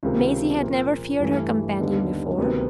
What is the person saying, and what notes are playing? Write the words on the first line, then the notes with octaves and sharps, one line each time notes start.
Maisie had never feared her companion before.
C#2 C3 D#3
A#2 F3 A#3
G2 E3 A3
D#2 D3 G3 B3 D#4
D2 C3 D#3 F#3 B3